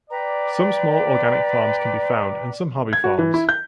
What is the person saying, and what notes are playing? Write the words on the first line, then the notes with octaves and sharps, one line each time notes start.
Some small organic farms can be found and some hobby farms.
B4 D5 G5 A#5
G#6
F#4
E3
E4
G6